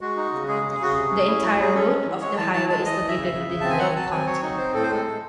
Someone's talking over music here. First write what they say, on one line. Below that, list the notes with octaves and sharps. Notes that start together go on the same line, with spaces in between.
The entire route of the highway is located within Lane County.
G#3 F#4
D#4
C#3
G#3 G#4
C#3
G#4
C#3 F#4
C3 G#4
C#4
E4
F#3 F#4
F#3 G#4
C#4 A4
G#3
E3
G#3 C#5
E3 A5
E3 A5
G#3 A5
E3 D#5
E3
E5
C#3
C#3
C#3
C4 A5
G#5
F#3 F#5
F#3 A5
C4 G#5
F#3 C#5
D#4
C4 C5
A2 A4
C5
G#3 A4
G#3